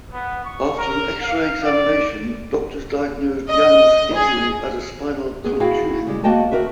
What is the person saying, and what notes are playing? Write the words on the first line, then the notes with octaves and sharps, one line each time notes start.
After an X-ray examination, doctors diagnosed Yang's injury as a spinal contusion.
B3
C#6
A#4
F5
D5
D#5
G#4
B3 G#4
E4 F#4 G#4 F5 G5
C#3 G3 G#3
A#3 B3 F#4 D#5 G5 A5
D#2 F#4 A#4 B4 E5